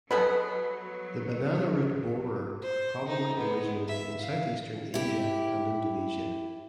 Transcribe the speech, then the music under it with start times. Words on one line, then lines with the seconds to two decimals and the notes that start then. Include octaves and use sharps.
The banana root borer probably originated in southeastern Asia and Indonesia.
0.11 B2 F#3 G#3 B3 A4 B4 B5
2.62 C5
3.06 C4 D#4
3.37 G#3 B3
3.88 E5
4.21 F5
4.94 E4 G4